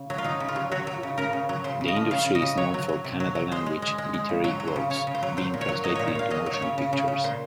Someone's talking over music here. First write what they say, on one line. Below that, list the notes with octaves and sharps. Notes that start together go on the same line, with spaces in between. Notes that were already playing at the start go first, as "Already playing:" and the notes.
The industry is known for Kannada language literary works, being translated into motion pictures.
Already playing: C#3
F#3
F4
F#3 D#4
C#3
F4
F#3
F#3 F#4
F#3
C#3
C#3 A#4
C#3
F#3
C#3 C5
C#3
D#5
F3
C#3 F5
C#3
D#5
C#3
F#3 C#5
F#3
F#3
C3
F#3
F#3
G#3 C5
G#3
G#3
G#3
G#3
C#3
F#3 C5
F#3
C5
C#3
C#3 C#5
C#3
C5
F#3
F#3 C5
A#2
C#5
F#3
F#3 D#5
A#2 C#5
C#5
A#2 F5
F#3 D#5
F#3
C#5
C#3
C#3
C#3
C#3
A#2 C5